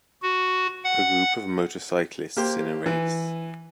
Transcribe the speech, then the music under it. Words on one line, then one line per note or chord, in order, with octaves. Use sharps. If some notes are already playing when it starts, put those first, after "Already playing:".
A group of motorcyclists in a race.
F#4
F#5
A#3 G4 C5
E3